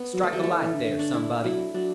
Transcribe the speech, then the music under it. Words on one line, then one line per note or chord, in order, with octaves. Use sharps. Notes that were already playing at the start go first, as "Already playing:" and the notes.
Strike a light there, somebody.
Already playing: B3
F#3
A3
F#3 G3
A3
E3
E3
D3
D3 C#4
D4
E4
F#3 E4
F#3 D4